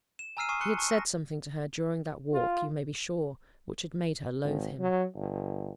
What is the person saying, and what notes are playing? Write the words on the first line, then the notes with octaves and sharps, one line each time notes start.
He had said something to her during that walk, you may be sure, which had made her loathe him.
E7
G#5 A#5 E6 F6 C7 D#7
G#5 C#6 D#6 F6 C7 D#7
C6 F#6 C#7
A5 C#6
A#6
F4
G#1
F#3
G1